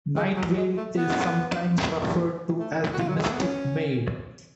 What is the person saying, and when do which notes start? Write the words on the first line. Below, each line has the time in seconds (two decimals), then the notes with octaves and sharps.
Nightveil is sometimes referred to as the Mystic Maid.
0.16 G#3
0.37 F#3
0.57 G#3
0.77 A3
0.97 B3
2.59 A3
2.93 F#4
2.99 F4
3.08 F#3
3.16 G#3
3.24 A3
3.32 B3
3.40 C#4